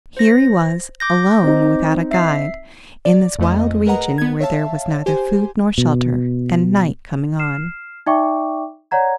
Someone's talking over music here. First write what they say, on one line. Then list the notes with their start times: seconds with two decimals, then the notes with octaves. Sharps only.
Here he was, alone, without a guide, in this wild region where there was neither food nor shelter, and night coming on.
0.17 C5 A#6
1.00 D6 G6 A#6
1.43 C4 D#4
2.11 E5 C7
3.05 D5
3.39 F2 A3 D#5
3.86 G#4 A#4 B4 D#5 F#5 A#5
4.18 B3 G#6
4.40 C#5 E5 F5 A5
5.06 G4 C5 G#5
5.78 B2
7.39 F6 C7 E7
8.06 D#4 D5 E5 G5 C#6 D6
8.91 C#5 D5 F#5 A#5 G#6